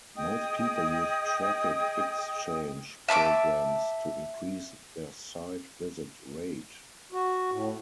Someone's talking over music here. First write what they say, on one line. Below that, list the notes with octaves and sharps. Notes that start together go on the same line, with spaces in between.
Most people use Traffic Exchange programs to increase their site visit rate.
G#4 D#5 G5 D#6
E5 A5 C6 D6
F#4
A2